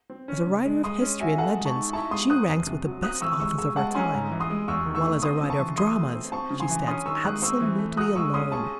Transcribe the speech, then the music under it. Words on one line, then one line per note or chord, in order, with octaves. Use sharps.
As a writer of history and legends she ranks with the best authors of her time, while as a writer of dramas she stands absolutely alone.
C4
C#4
C#3
G#3
G#3 C6 D#6
C#4
F#4 E5 G#5
A4 F#5 A5
G#3
A5 C#6
D#4
E4 A5 C#6
G#3 C6 D#6
C4 D#6 F#6
E2
C3
F#3
C4 D#6 F#6
E3 C#6 E6
G#3 C#6 E6
G#4 C#6 E6
G#3 F#5 A5
C#4 G#5 C6
G#2
E3
C6 D#6
G#3
E2 C#6 E6
D#3
C#6 E6
A3
C4 C6 D#6
C#3
A5 C#6
E3
E3 C6 D#6
A3
C4
C4 A5 C#6
C#3
G#5 C6
E3
C#4 C6 D#6
D#3 C#6 E6
G#3 D#6 F#6
C4 C#6 E6
E3
A3
F#4 D#6 F#6
G#3 C#6 E6
C#4 C6 D#6
G#4 A5 C#6